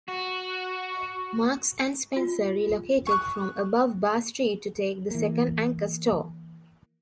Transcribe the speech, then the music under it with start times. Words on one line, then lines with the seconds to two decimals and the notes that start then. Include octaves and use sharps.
Marks and Spencer relocated from Above Bar Street to take the second anchor store.
0.08 F#4
2.16 F4
3.07 C#6 D#6 F#6
5.11 E3 A#3